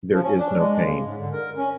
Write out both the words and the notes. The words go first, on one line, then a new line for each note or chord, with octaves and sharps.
There is no pain.
F3
C#4
D4
G#3
C#3
G#2
D3
A#4
C#4